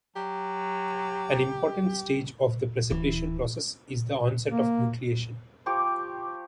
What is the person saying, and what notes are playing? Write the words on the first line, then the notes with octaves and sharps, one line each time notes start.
An important stage of the precipitation process is the onset of nucleation.
F#3 G4
D1 E3
A#3
F3 G4 C#6 D6